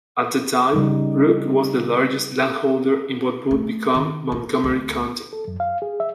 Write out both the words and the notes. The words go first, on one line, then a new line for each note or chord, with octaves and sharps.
At the time, Brooke was the largest landholder in what would become Montgomery County.
C#3 G3 D#4
A3
D#3
A#3
D2
A4
F#2
F5
G#4
E5